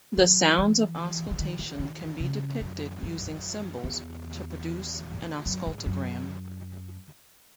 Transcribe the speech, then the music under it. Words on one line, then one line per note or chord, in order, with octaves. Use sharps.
The sounds of auscultation can be depicted using symbols to produce an auscultogram.
F#3
E3
E3
D#3
E3
D#3
C#3
F#2
F#2
E2
F#2
G#2
F#2